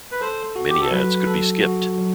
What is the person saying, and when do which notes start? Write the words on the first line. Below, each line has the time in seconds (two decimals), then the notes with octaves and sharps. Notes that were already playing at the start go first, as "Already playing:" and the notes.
Many ads could be skipped.
0.12 B4
0.21 A4 C5
0.56 F#4
0.70 G4
0.81 A4
0.91 F#3 B4
1.27 A4
1.63 F#4
1.98 F#3